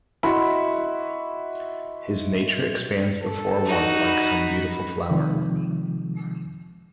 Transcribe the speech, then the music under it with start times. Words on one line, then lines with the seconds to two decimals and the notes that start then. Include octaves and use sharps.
His nature expands before one like some beautiful flower.
0.23 E4 F#4 D#5 E5 B5 C6
3.22 A4
3.65 D#4 F#4
4.06 B5
5.11 C3 D#3 F3 G#3